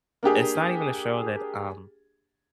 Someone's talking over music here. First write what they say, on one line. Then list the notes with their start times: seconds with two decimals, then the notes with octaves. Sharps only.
it's not even a show that, um,
0.23 A#3 D4 G4 G#4